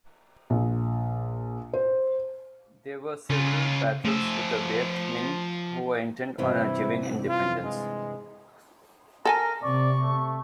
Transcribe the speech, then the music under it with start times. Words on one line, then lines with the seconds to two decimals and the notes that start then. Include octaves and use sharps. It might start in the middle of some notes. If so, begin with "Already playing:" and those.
There were several battles with the Viet Minh, who were intent on achieving independence.
0.50 A#1
1.73 C5
3.30 C#3 C#4 F4
4.05 F3 A3 E5
6.38 G2 C3 E3 E4
7.29 F4
7.64 G#3
9.25 A4 A#4 G5 G#5 A#6
9.63 C3 D5 C#6
10.01 A3